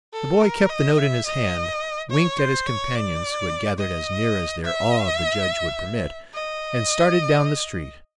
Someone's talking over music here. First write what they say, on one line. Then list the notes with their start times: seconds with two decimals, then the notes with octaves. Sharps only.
The boy kept the note in his hand, winked at his companions, who had gathered as near as their awe of the judge would permit, and started down the street.
0.13 A4
0.41 A#4
0.69 D#5
0.97 E5
1.26 D#5
2.10 C#5
2.38 C5
2.67 C#5
2.95 D5
3.79 D#5
4.64 E5
6.34 D#5